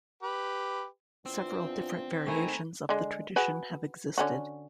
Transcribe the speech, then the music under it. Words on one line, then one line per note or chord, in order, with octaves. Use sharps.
Several different variations of the tradition have existed.
G4 B4
E2 C4 D4 F4
D#3 A3 E4 G#5 A#5
D3 G#3
F#4 G#4 B4
D3 C#4 F#4